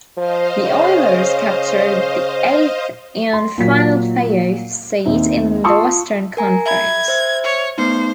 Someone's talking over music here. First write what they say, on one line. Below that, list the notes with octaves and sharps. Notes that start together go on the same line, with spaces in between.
The Oilers captured the eighth and final playoff seed in the Western Conference.
F3 C5 D#5 F5
C#3
C6
A#2 F#3 B6
D#2 C4 D#4 E5
F4 A5 C6 C#6 D#6 E6
A#4 G#5 A#5
E5 B5 G#6
C5 E5
C#5
A3 B3 D#4 C5